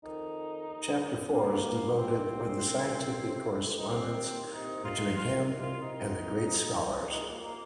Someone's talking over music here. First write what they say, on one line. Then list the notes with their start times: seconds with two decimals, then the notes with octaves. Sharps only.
Chapter four is devoted for the scientific correspondence between him and the great scholars.
0.03 F2 D#3 D#4
0.68 D#2 D#3
1.33 D#2 D#3 A#3
1.96 C2 C3 D#3 C4
2.60 C2 A#2
3.24 F2 C3 D#3
3.77 D#4
3.88 D#2 D#3 C4
4.52 C2 C3 D#3 D#4
4.85 F4
5.17 C2 C3 D#3 F4
5.59 F4
5.81 C2 C3 D#3 D#4
6.45 D#2 D#3
7.10 C2 A#2 D#4
7.19 G#3
7.26 A#3
7.41 A#3